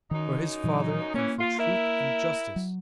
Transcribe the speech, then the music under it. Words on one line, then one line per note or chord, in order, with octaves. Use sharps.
For his father and for truth and justice.
F#2 D#3 D#4
A#2 E3 F#3
E3 A#3 C#4
F4
E4 A#4 E5
F#3